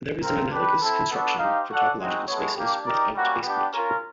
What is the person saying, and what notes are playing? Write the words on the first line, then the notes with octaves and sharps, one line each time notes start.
There is an analogous construction for topological spaces without basepoint.
C4 F4 A#4
D4 G4 B4
C4 E4 A4
B3 D4 F#4 A4
D#4 G4 C5 F5
F#4 A4 D5 F#5
G#3 C4 D#4 F#4
G#3 B3 E4 A4 C#5
A#3 D4 G4
D#4 G4 A#4 D5
G3 A#3 C#4 F#4
B3 D4 G4
C#4 F4 A#4